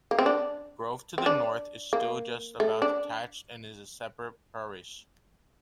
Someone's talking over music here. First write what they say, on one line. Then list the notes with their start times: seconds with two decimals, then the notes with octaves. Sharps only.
Grove to the north is still just about detached and is a separate parish.
0.11 A#3
0.19 C4
0.26 D4
1.18 C4
1.26 D4
1.93 A#3
2.60 A3
2.82 D4